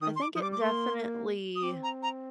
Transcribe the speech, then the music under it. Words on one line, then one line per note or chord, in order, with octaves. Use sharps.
I think it definitely
D#3 D#6
C6
D6
F3 D#6
G3 D6
D6
A#3 C6
D#6
C4 D6
A#5
A#5